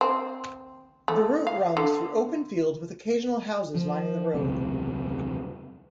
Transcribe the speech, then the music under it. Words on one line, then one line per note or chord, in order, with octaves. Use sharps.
The route runs through open fields with occasional houses lining the road.
C4
A3
F5
D3
F3
E1 C#2 F#2 C3